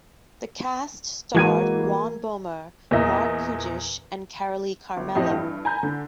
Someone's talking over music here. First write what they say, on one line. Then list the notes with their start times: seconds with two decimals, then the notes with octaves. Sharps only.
The cast starred Ron Bohmer, Marc Kudisch and Carolee Carmello.
1.35 E3 G#3 A#3 F#4 G#6 D#7
2.91 E2 A#2 A#4 D#5 E5
4.97 G1
5.15 F2 A2 G4 D#5
5.30 G2 E3
5.65 G#5 A#5 B5 G6
5.83 D3